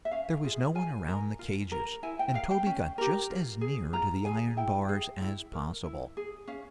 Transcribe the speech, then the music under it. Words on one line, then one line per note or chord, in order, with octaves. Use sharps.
There was no one around the cages, and Toby got just as near to the iron bars as possible.
E5
C#4 F5
F4 G#4
F4 G#5
A#4
F4
A#4
E4 G#5
G5
A#4 F5
G5
C#4
G4 A#4
F4
G#4
F4 A#5
G#4 G#5
E4 G5
G#4
E4
A#4
E4
G#4
C#4 F5